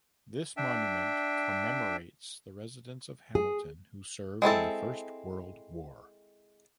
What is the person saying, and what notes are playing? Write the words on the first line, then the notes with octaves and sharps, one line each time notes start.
This monument commemorates the residents of Hamilton who served in the First World War.
D4 E5 G5
G#4
G#3 C4 E4 A4